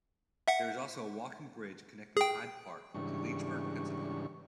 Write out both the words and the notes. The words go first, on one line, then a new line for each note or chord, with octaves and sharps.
There is also a walking bridge connecting Hyde Park to Leechburg, Pennsylvania.
E5 F#5
G#4 G5
G#2 C#3 E3 G3 D4 C#6